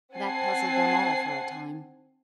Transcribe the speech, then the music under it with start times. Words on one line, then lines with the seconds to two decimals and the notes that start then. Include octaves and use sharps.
That puzzled them all for a time.
0.13 C4 F#5 G#5 A5 C7